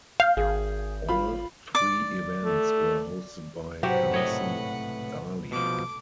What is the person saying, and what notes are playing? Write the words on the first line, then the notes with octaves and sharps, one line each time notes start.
All three events were hosted by Carson Daly.
F5 G6
G#1 G#4
F4 B5
D5 D6
A3
B1 G#2 C3 F#3 G4 B4 F#5
A2 C#5 D#5
B3
B2 F3 A3 D6